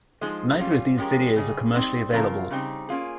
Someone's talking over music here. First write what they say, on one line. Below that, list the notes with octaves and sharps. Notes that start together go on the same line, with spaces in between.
Neither of these videos are commercially available.
F3 G#3 D#4 G#4 D#5
G3 C#4 F4
F3 G#3 C#4 G4 A#4
C#3 G3 C#4 G#4 D#5
G3 C4 D#4
C#3 F3 C4 F4 A#4
C#3 G3 C4 D#4
A#3 C#4 F4 G#4